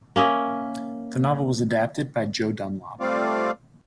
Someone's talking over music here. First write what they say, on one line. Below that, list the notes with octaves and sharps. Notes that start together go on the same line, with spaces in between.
The novel was adapted by Joe Dunlop.
A#3 C#4 D#5 E5
G3 A3 C4 F4 D5 F5